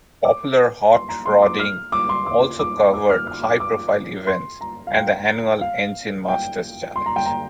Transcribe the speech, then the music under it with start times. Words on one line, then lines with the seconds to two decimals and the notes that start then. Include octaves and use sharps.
"Popular Hot Rodding" also covered high-profile events and the annual Engine Masters Challenge.
0.25 D6
0.92 C6
1.09 A#5
1.26 C6
1.42 D6
1.59 F6
1.92 D6
2.09 C6
2.26 D6
2.59 D6
2.93 D6
3.10 F6
3.27 F6
3.44 D6
3.60 D6
4.27 C6
4.61 A#5
4.87 F5
4.94 G5
5.61 F5
6.28 G5
6.96 C6
7.06 A#5
7.16 G5
7.26 A#5